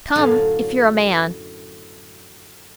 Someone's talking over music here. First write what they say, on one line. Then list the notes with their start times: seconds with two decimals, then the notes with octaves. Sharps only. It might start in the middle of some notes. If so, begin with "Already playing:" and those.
"Come--if you're a man!"
0.15 F#2 A2 D3 C#4 D5 F5